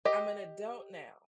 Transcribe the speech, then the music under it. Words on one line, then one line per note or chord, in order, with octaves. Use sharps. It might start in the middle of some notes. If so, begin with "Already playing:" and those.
I'm an adult now
G4 D#5